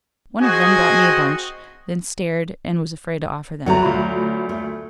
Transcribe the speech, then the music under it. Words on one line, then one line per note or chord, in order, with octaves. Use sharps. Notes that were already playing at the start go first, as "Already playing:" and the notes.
One of them brought me a bunch, then stared, and was afraid to offer them.
C4 F#4 G#4 D#5 G#5
F#3 A3 B3 F#5 A#5
D2 F4 B5
A3